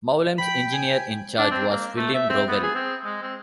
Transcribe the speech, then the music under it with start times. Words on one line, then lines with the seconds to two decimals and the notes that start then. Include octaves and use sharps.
Mowlems' engineer in charge was William Rowell.
0.38 G5 B5
0.73 G#5
1.38 D4
1.51 C4
1.70 A#3
1.97 A3
2.14 E5
2.30 C4
2.48 B3
2.63 G#4
2.75 C4
3.04 G#3
3.22 C4